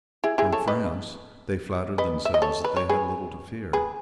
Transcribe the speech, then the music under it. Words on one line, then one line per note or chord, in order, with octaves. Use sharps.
From France they flattered themselves that they had little to fear.
E4 G#4
E4 G#4
A4 C#5
B4 D#5
B4 D#5
E5
D#5
A4 C#5
B4
C#5
G#4 B4
G#4 B4